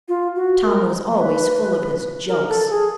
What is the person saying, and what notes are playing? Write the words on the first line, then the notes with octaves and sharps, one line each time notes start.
Tom was always full of his jokes.
F4
F#4
A#4
B4
A#4
A4
G#4